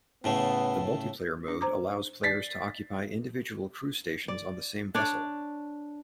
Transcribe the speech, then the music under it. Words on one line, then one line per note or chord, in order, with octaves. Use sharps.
The multi-player mode allows players to occupy individual crew stations on the same vessel.
A2 C#3 A3 B3
D4
C5 A#5 D6
D5 A6 B6 C7
D5
D4 C#5 D5